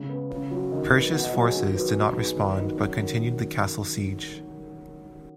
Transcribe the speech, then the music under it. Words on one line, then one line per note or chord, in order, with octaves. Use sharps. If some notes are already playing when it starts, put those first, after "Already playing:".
Perche's forces did not respond, but continued the castle siege.
Already playing: C#3 G#3
B3
C#3
F#3
D#3 D#5
B3
B2 F#5
D#5
F#3 C#5
G#4
D#3 F#4
F#3 B4
G#4
B2 F#4
D#4
B3
G#4
D#3 D#4
F#3 D#4
F#2
D#3